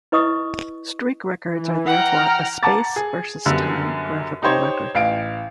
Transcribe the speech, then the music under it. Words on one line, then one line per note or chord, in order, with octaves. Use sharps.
Streak records are therefore a space versus time graphical record.
E4 B4 D#5 C#6 D#6
E3
F#5 G5 A#5 F6
F#5 A5 A#5 D6 A6
G#4
F#2 D3 G3 B3
D#4 G4 C5 C#5
A1 F5 D7